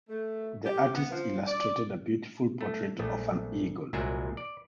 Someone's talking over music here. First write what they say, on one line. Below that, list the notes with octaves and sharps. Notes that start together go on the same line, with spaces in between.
The artist illustrated a beautiful portrait of an eagle.
A3
G4
B3
F3
D5
A3
A#1 A3
C2 A#2 F#3 G#3 G#4 E5
D5